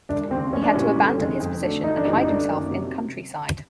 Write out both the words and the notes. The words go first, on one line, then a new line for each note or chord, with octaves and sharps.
He had to abandon his position and hide himself in countryside.
E1 D4
D#2 C#3 C4
A#1 C#4
D4
A#2 G3 B3 C#4 E4
G1
F2 C3 D#3 G#3
F2
D3 F#3 A3 D4
G1 D#4
D4
F#2 C#3 E3 G3 D#4
D#4
G1 D4
F#2 D#3 F#3 A#3
C3